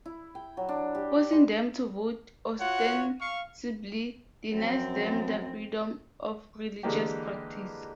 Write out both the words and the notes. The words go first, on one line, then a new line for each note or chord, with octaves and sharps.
Forcing them to vote ostensibly denies them their freedom of religious practice.
E4
G5
F#3
D4
G4
G#3
F4 F#4 C#5 F#5
F5 C#6
F#2 F3 C4
D3 E3 G#3 A#3 G4